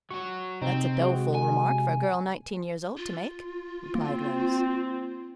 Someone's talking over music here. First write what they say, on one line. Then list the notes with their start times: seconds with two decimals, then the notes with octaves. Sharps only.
"That's a doleful remark for a girl nineteen years old to make," replied Rose.
0.11 F#3 F#4 C#6
0.62 C3 C4 D#4
1.00 G#3 F#4
1.34 G#5
2.97 F4
3.95 A#3 C4